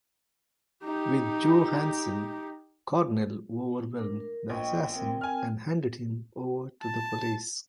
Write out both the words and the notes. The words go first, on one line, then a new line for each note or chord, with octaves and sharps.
With Joe Hansen, Cornell overwhelmed the assassin and handed him over to the police.
D#4 G4
D4 A#4 D6
A#4
A#1 D#5 G5 C#6
C4 A#4 G5
G#5 F6
A5